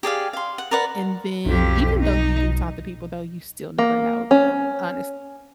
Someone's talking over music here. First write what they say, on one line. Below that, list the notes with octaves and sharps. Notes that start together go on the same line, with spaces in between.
and then even though you do talk to people, though, you still never know them, honestly.
G4 G#4 D5 F5
F5 C6
F#5
A#4 B4 D5 F#5
B1 F2 G4
D#4
A#3
C#4